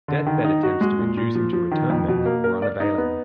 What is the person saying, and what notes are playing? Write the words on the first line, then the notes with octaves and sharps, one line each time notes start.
Deathbed attempts to induce him to return them were unavailing.
D3
D#3
D#4
F#4
G#3
A#2
A#2
F3
F3
D#3
F2
B2
A#3
A#4
D5
D#4
B3